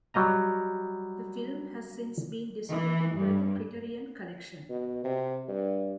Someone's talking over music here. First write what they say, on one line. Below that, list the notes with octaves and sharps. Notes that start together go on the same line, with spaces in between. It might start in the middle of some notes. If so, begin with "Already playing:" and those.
The film has since been distributed by the Criterion Collection.
F#3 G3 D#5 A#5
E3
G2
B2
C3
G2